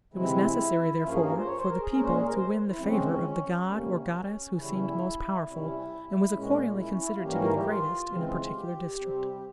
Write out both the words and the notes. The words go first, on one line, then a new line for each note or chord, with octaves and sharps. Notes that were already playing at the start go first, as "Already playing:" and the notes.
It was necessary, therefore, for the people to win the favour of the god or goddess who seemed most powerful, and was accordingly considered to be the greatest in a particular district.
C3 E3 G#3 C4 E4
G2 F3 A#3 C#4 F4
G#4
A#4
C5
C#5
C5
A#4
G#4
A#2 G#3 C#4 A#4
C5
G#4
A#4
C5
E4
C#3 F3 G#3 C4 C#4
C3 G3 A#3
E2 C#3 G3 C#4 E4
C3 G3 C#4 E4
A#2 G#3 C#4
E4
C#4
E4
F4
G#2 E3 G3 A#3 C#4 G4
A#4
A#4
G4
F4
C#3 E3 G#3 C4
G4
C3 G3 C4